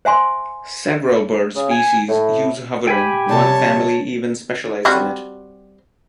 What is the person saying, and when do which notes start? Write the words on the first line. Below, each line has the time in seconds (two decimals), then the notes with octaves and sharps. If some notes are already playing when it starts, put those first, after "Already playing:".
Several bird species use hovering, one family even specialized in it.
0.05 C5 E5 G#5 C6
1.55 C#3
1.71 G#5
2.09 A2
2.87 G4 G5 G#5 B5
3.29 F2 C3 G3 C#5 A5
4.85 G3 C4 F#4